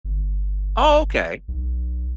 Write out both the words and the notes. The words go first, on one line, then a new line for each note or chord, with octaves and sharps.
Oh, okay.
G1
B1